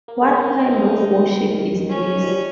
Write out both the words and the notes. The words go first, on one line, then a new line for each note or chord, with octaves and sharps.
What kind of worship is this?
A#3
G#3
A#3 D#4
C4
C#4
A#3
C4
G#3
G3
D#3
C#3
D#3
D#3
D#3
D#3
F3 C#4
C#3
D#3
F3
G3